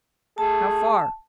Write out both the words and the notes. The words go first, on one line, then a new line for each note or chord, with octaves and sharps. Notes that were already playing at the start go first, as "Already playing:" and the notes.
"How far?"
A3 G#4 A5